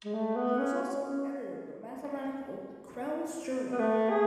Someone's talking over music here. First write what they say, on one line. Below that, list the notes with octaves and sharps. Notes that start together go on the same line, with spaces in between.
He was also an editor of the mathematical "Crelle's Journal".
G#3
A3
B3
C#4
C#4
B3
A3
G#4